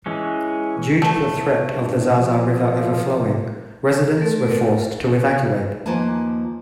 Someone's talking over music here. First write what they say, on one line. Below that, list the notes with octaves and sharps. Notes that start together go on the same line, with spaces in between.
Due to the threat of the Zaza River overflowing, residents were forced to evacuate.
E3 G#3 C#4
E2 A3
G2
F3
A3 A4 A#4
D#2 F3 A#3 B4 G#5 A5